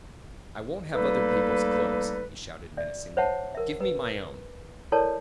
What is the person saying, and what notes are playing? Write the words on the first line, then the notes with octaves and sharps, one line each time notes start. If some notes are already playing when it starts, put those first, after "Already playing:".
"I won't have other people's clothes!" he shouted menacingly, "give me my own!"
G3 A3 A#3 D#4 A4 B4
D5 E5
C5 C#5 E5 F#5 A5
A#4 E5
B4
E4 A4 A#4 C#5 D5 A5